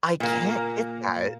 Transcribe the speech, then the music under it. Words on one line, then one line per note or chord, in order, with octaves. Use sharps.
I can't get that.
A#2 A#3